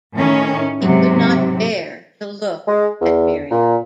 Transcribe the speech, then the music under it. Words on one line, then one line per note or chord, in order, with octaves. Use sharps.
He could not bear to look at Miriam.
A2 D#3 C#4
G#2 C3 F#3
G#3
E2
A#2